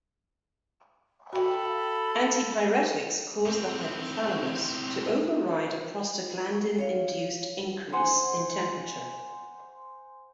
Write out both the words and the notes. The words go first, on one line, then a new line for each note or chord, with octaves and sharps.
Antipyretics cause the hypothalamus to override a prostaglandin-induced increase in temperature.
F#4 A4 G5 B5
F5
A2 C4
C#5 F5
C5 F#5 G#5